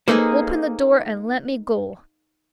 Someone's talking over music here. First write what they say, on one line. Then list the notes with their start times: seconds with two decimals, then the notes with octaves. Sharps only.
"Then open the door and let me go."
0.08 A#3 D#4 G#4 A4 B4 C5